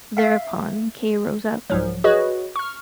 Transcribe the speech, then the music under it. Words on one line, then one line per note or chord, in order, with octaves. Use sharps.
Thereupon Kay rose up.
E5 F5
C2 G#2 F3 F#3
F#4 G#4 B4 C#5 D#5
C#6 F6